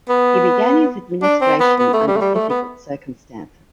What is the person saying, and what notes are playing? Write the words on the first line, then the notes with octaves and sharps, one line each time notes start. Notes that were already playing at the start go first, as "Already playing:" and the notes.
He began his administration under difficult circumstances.
B3
D4
C4
B3
B3
A3
G3
A3
G3
A3
B3